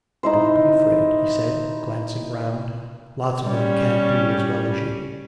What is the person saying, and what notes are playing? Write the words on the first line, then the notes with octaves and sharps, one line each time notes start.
Don't be afraid,' he said, glancing round; 'lots of them can't do as well as you.
D#4 E4 C5
G3 C#4